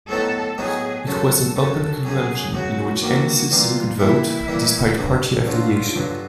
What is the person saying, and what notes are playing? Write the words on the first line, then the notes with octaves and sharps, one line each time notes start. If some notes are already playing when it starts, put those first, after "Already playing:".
It was an open convention in which any citizen could vote, despite party affiliation.
A2 F#3 B3 D#4 A4
A2 F#3 B3 D#4 G#4
F#2 C#3 F#3 A4
F#2 C#3 F#3 A4
F#2 C#3 F#3 G#4
F#2 C#3 F#3 F#4
E3 G3 A#3 F#4
E3 G3 A#3 F4
E3 G3 A#3 E4
E3 G3 A#3
G2 D3 F#3
G2 D3 F#3 F4
G2 D3 F#3